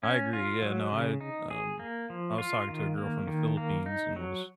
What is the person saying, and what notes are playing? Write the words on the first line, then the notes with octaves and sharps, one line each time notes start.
I agree, yeah, no, I, um I was talking to a girl from the Philippines and I was
C#4
F4
F#3
C#3
D#4
G#4
A#3
F3
F4
D#3
A#3
D#3
A#3
D#4
F#3